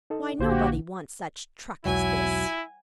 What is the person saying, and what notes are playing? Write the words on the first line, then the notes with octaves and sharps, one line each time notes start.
Why, nobody wants such truck as this.
D#4 A4 D#5
A#1 A2 D3 A#3 F#4 G4 C5 G6
E1 B1 F#3 E4 G#5